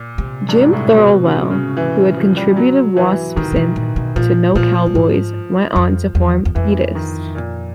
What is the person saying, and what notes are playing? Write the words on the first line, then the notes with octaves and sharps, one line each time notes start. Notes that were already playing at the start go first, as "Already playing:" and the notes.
Jim Thirlwell, who had contributed Wasp synth to "No-Cowboys", went on to form Foetus.
Already playing: A#2
C3
G2
G#2
A2
A#2
B2
C#3
C#3
E3
F3
G3
F#3
E3
C3 D#3
A#2
B2
A#2
B2
A#2 F3
A#2 F3
A2
G#2
F2
E2
E2
F2 E3
D#3
A#2